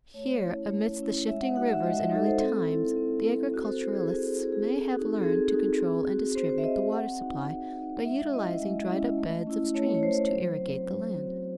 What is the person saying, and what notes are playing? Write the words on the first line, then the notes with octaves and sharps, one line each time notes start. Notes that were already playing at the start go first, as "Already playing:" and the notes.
Here, amidst the shifting rivers in early times, the agriculturists may have learned to control and distribute the water supply by utilizing dried-up beds of streams to irrigate the land.
A3 C#5
C#4 E4
A3
C#4 E4
G#3 E5
F#5
D#4 F#4 F#5
E5
G#3 D#5
E5
D#4 F#4 A4
C5
C4 A4
E4
C4
E4
C4 F#4
C5
A4
E4 C5
G#4
C4
G#4
E4 G#4
G#4
C4 A4
G#4
D#4 F#4
A4
C4 G#4
D#4 F#4
C4
F#4
C4 C5
C5
E5
F#4 D#5
E5
C4 F#5
D#4 F#4
C4
D#4 F#4
G#3 E5
C#4 E4 D#5
G#3
C#4 E4
A3
C#4 E4
A3 C#5
C#5
C#4 E4 C5
F#3
C4 F#4
F#3
C4 F#4